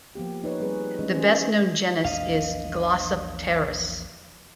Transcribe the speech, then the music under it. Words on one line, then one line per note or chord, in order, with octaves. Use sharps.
The best known genus is "Glossopteris".
F3 A#3 B3 G4
D#4 B4 C#5
G3 C4 G#4 B4
E3 G#3 C#4
F#3 C#4 G#4 C5
A#1 E2 D4 D#5 F5